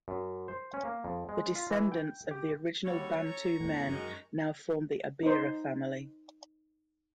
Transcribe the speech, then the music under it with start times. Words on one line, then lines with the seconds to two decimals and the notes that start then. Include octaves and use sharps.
The descendants of the original Bantu men now form the Abira family.
0.08 F#2
0.48 C5
0.74 C#4
0.85 A#3
1.04 F2
1.29 G#3
1.55 F4
1.71 E3
1.92 G5
2.31 G4
2.85 D#2 G3 C#4 F#4 A4 C#5
3.26 A#5 C#6
3.60 E2 A2
3.89 F#2 D3 D#3 G#3
5.23 D#4 C5